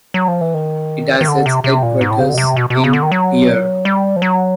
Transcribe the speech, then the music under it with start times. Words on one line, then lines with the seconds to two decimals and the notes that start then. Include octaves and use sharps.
It has its headquarters in Pierre.
0.14 F#3
0.28 F3
0.41 E3
0.54 D#3
1.21 D#3
1.28 D3
1.46 C3
1.64 C3
1.83 A#2
2.01 G#2
2.11 A2
2.20 C#3
2.29 D3
2.34 B2
2.38 C3
2.57 B2
2.70 B2
2.75 C3
2.84 C#3
2.93 D3
3.02 D#3
3.12 F#3
3.85 G3
4.16 F3
4.22 F#3